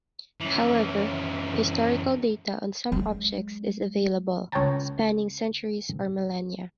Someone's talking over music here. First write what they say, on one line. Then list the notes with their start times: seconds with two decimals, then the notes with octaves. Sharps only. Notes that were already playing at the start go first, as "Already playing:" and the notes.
However, historical data on some objects is available, spanning centuries or millennia.
0.41 F#2 E3
2.92 F#3 G#3
4.52 C#2 C#5 F#5 G5 A5 A#5